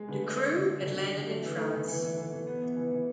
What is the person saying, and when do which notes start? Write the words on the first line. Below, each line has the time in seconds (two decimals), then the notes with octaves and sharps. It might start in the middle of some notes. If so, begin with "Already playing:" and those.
The crew had landed in France.
Already playing: G#3
0.08 D3 B4
0.23 A3
0.38 D4
0.53 D3
0.68 D4
0.82 D3
0.97 D3
1.13 D3
1.27 A3 A4
1.42 E3
1.57 A3 A4
1.72 E3 B4
1.88 E3
2.02 E3
2.18 E3
2.32 E3
2.47 B3
2.62 B3
2.76 E3
2.91 E3